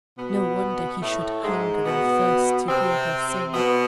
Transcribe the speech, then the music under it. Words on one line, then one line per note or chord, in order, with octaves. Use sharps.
No wonder he should hunger and thirst to hear her sing.
B2 B3
A2 A3
G#2 G#3
B2 B3
C3 C4
B2 B3